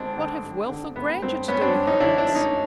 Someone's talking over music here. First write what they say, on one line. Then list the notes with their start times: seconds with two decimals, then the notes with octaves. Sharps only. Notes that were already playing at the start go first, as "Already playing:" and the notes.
"What have wealth or grandeur to do with happiness?"
Already playing: G#1 D3 C4 D4
0.17 D3
0.44 G#1
0.69 D3
0.96 G#1 B3
1.22 G2 C4
1.48 G2 B3 C#4
1.61 C4 D4
1.74 G2
1.87 C#4 D#4
2.00 D3 D4 E4
2.18 D4 E4
2.26 F3
2.35 C#4 D#4